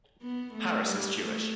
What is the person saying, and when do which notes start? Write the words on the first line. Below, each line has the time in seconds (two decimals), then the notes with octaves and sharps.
Harris is Jewish.
0.22 B3
0.53 A3
0.85 G3
1.15 A3